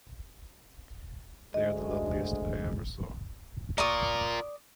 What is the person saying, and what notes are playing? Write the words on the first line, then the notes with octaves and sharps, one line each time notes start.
They are the loveliest I ever saw.
D2 G#3 D#5
F4 A#4 D5 C#6 D#6